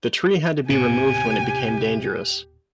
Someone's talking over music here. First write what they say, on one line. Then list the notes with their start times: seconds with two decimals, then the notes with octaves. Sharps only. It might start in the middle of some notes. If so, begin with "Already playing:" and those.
The tree had to be removed when it became dangerous.
0.70 D#1 A2 C3 B3 G4 G#5